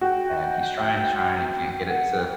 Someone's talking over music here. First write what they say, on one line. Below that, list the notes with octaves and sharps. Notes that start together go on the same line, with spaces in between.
and he's trying, he's trying, he can't get it to
F#4 G5
F#5
G5